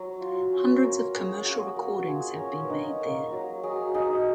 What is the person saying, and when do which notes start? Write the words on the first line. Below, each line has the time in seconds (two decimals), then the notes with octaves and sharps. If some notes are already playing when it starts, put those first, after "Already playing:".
Hundreds of commercial recordings have been made there.
Already playing: F#3
0.21 F4
0.52 C#4
0.83 F4 A#4
1.15 C#4 G#4
1.46 A#3 F#4
1.76 A#3 F#4
2.08 F4 G#4
2.39 C#4 A#4
2.61 B4
2.70 D#4 A#4
3.01 A#3
3.32 F#3
3.63 F#3 G#4
3.94 D#4 G#4